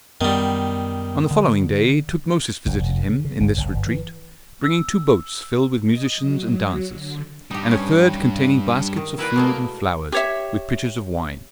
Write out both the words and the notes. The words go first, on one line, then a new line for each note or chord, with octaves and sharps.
On the following day Tutmosis visited him in this retreat, bringing two boats filled with musicians and dancers, and a third containing baskets of food and flowers, with pitchers of wine.
F#2 D#3 G3 B3
D3
F#1
F1
C#3
C#3
G1
F#1
G1
E3
E6
D#5
F#3
D3
G2 G3 D#4 G4
C#4
D#3
A#3 E4 B4 D5
B2 G#3 A3
G4 C#5 E5